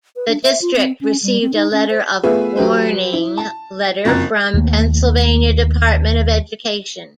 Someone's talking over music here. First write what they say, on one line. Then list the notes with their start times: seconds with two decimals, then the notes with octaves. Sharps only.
The district received a letter of "Warning" letter from the Pennsylvania Department of Education.
0.16 B4
0.28 D4
0.44 E5
0.61 F4
0.76 C4
1.01 C#4
1.23 G3
1.42 C4
1.54 D#4
1.72 C#4
1.90 C5
2.23 A3 B3 F4 G#4 B4 E5
2.56 F#3 G4 B4 C5
3.13 E4
3.38 A5
4.05 F#1 F2 A#5 F#6 A6
4.54 D#2 A3 A#3